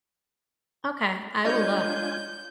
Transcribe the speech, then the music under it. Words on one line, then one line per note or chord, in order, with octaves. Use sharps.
Okay, I will look.
G#3 D4 F4 C#5 D#5 G#5 G6